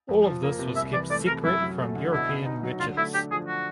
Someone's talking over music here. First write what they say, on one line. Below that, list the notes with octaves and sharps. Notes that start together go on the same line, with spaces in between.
All of this was kept secret from European merchants.
F2
F3
A#3
C3
C2 E5
E3 D5
A3 D5
C3 A#4
F#2 E4
F#3
A3
D3
B2 E4
B3
D#4
F#3
D3 F4
A3 E4
D4 G4
F3 G#4
F#4